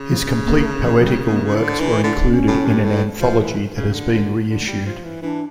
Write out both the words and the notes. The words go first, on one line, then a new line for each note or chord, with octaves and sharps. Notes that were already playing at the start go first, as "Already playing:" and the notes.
His complete poetical works were included in an anthology that has been reissued.
Already playing: C#3
F3
C#4
A#3
A#3
A3
F3
F3
G3
A#3
D4
D3 E4
E3 D4
D3 E4
C#4
A2
G2
A2
F3
E3
C#3
D3
D3
D3
G3
F3
E3
E3 D4